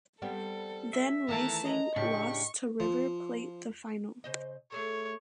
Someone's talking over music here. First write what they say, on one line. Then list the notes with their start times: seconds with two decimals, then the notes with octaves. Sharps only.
Then Racing lost to River Plate the final.
0.22 G3 B3 C4 A4
0.93 E5
1.28 D#3 E3 A3 A4 A5 A#5
1.65 D#5 A#5
1.96 A2 C#3 D4 G4 C#6
2.80 F3
4.24 C#3 C5 D#5
4.72 A3 G#4 A4 C#5